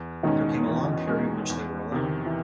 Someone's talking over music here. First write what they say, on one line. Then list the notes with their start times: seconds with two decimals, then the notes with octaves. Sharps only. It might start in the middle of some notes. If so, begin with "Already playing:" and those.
There came a long period in which they were alone.
Already playing: E2
0.23 B2 D#3 G#3 C#4
0.66 E2 E3
1.08 B2 G#3 C#4
1.50 E2
1.92 C3 D#3
2.26 E3